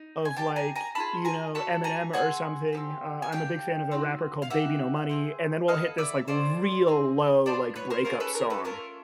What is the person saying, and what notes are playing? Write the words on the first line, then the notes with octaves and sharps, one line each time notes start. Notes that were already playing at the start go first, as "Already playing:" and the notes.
of, like, you know, Eminem or something, uh, I'm a big fan of a rapper called Baby No Money, and then we'll hit this, like, real low, like, breakup song.
Already playing: D#4
G#5
D4 G4 G5 A5
G#5 A#5
G#5 A#5
D4 F4 G#4 A5 B5
G#5 A#5
D4 F#4 A4 A5 B5
G#5 A#5
C4 E4 G#4 F#5 G#5
C4 D#4 G4
G#5
D4 G4 F5 G5
C4 D#4 F#4
F5
A#3 D#4 G4 E5 F#5
C4 E4 G#4
B3 E4 A4 D#5 F5
D5 E5
C#4 F4 A4 C5 D5
C4 D#4 G#4
B3 D4 F4 C5 D5
B4 C#5
A#4 C5
C#4 F4 G#4 A#4 C5
A4 B4
A#4
A4 B4
A3 C#4 F4 A4 A#4